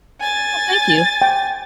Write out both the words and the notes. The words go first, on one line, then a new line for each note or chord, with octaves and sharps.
Oh, thank you.
G#5 A6
G5